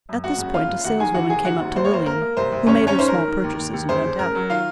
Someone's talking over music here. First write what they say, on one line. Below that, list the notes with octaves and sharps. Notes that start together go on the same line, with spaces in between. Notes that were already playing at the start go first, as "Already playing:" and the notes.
At this point a saleswoman came up to Lilian, who made her small purchases and went out.
F#2
F#1 F#4 F#5
C#3
F#1 F4 F5
C#3
D#2 F#4 F#5
D#3 G#4 G#5
D#3 F#4 F#5
F1 G#4 G#5
D#3 F#4 F#5
F#1
F#1 C5
C#5
A#3 C5
A#3 A#4
A#3
C2 C5
C2
G#1 C#4 C#5
G#1 C#4 C#5
D#3 C5
A#4
D#3
D#3
D#2
D#2
D#2
C#3 C5
C#3
C#3 A#4
F#3
D#3 F4 F5